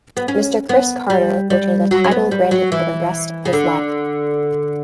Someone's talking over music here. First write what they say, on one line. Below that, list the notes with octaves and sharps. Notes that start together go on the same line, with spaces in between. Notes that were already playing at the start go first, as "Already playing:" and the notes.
Mr Chris Carter, which is a title granted for the rest of his life.
B3
C#4
B3
G3
G3
F#3
C#4
B3
G3
F#3
E3
C#3
D3